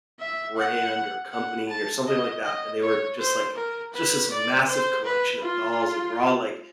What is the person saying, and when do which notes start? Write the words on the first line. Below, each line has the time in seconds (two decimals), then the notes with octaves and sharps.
brand or company or something like that, and they were just, like it's just this massive collection of dolls, and they were all, like,
0.20 E5
0.58 F#5
1.32 F#5
1.69 A5
2.07 D#5
2.44 D#5
2.81 C#5
3.19 C5
3.55 A#4
3.93 B4
4.31 D5
4.68 C5
5.05 B4
5.42 F4